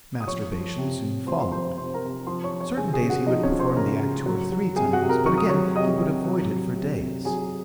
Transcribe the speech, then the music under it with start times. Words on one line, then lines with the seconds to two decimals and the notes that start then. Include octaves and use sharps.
Masturbation soon followed. Certain days he would perform the act two or three times, but again he would avoid it for days.
0.20 D#6
0.27 F3 C#5 C#6
0.52 F3
0.78 C3
1.03 C3
1.27 F3 C5 C6
1.40 C5 C6
1.52 F3 C5 C6
1.77 C3 C5 C6
1.94 A#4 A#5
2.02 C3
2.27 F3 C5 C6
2.44 C#5 C#6
2.52 F3
2.60 C#5 C#6
2.77 C#3 G#4 G#5
2.93 G#4 G#5
3.02 C#3
3.10 F#4 F#5
3.26 F3 D#4 D#5
3.43 C#4 C#5
3.52 F3
3.59 C5 C6
3.76 C#3 A#4 A#5
4.02 C#3
4.26 F#3
4.52 F#3
4.76 C3 G#4 G#5
4.93 F#4 F#5
5.02 C3
5.09 A#4 A#5
5.26 F#3 C#6
5.38 D#6
5.49 F#3 C#5 C#6
5.76 C3 D#5 D#6
6.01 C3
6.26 F#3
6.52 F#3
6.75 C3
7.01 C3
7.25 F#3 G#4 G#5